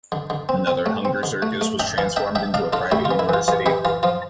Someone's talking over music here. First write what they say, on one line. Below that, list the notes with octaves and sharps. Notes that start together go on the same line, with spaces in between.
Another hunger circus was transformed into a private university.
D3
D3
C4
C4
A3
C4
D3
A3
A3
D4 E5 G5
E3 F5 A5
D4 E5 G5
D4 E5 G5
D4 D5 F5
D4 F4 A4
A3 E4 G4
F4
E3
E4
E3 F4
E3 F4
E3 E4 G4
E3 F4
F3 F4